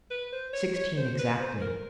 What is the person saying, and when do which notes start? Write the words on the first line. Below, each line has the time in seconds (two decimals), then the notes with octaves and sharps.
"Sixteen, exactly."
0.11 B4
0.32 C5
0.53 C#5
0.76 C#5
0.97 C5
1.19 B4
1.40 C5
1.61 A#4